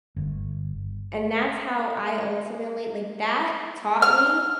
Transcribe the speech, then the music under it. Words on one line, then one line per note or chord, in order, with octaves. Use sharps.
and that's how I ultimately like, that taught me
G1
F6